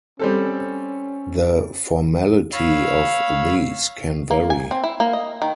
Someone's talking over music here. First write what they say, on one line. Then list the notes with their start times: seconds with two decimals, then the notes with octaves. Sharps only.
The formality of these can vary.
0.19 G3 C4 C#4 A4
2.53 C#5 F5 B5 E6
4.31 A#3
4.50 G#5
4.71 C4
4.84 E4
5.00 A#3
5.13 D#5
5.42 D#3